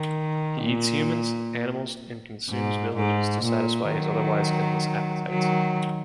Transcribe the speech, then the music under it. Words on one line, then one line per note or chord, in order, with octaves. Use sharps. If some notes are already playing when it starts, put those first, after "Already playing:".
He eats humans, animals and consumes villages to satisfy his otherwise endless appetite.
Already playing: D#3
A#2
G#2
G#2
A#2
D#3 F#3
D#3 F#3